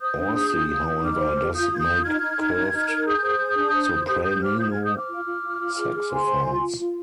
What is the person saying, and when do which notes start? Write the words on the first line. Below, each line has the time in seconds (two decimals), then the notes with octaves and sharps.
Orsi, however, does make curved sopranino saxophones.
0.01 C5 D#6 G6
0.18 D4
0.34 G#4
0.51 F4
0.68 F4
0.86 F4
1.02 D#4 D6 F6
1.19 C5
1.35 G4
1.53 F4 D#6 G6
1.70 F4 G#6
1.78 D#6 G6
1.86 F4
2.03 D#4 F6 G#6
2.21 D#4
2.37 D#4
2.55 D#4
2.72 D#4
2.88 A#4
3.06 G#4 D#6 G6
3.23 C5
3.39 G#4
3.56 D4
3.73 C5
3.90 C5
4.07 G4 D#6 G6
4.24 G4 D#6 G6
4.41 C5 D6 F6
4.57 F4 D#6 G6
4.70 G#4 F6 G#6
4.84 D#6 G6
4.92 C5 D6 F6
5.09 F4
5.25 F4
5.42 F4
5.60 F4
5.77 G#4
5.94 G#4
6.10 C5 G#5 C6
6.27 C5
6.45 F4
6.61 F4
6.78 F4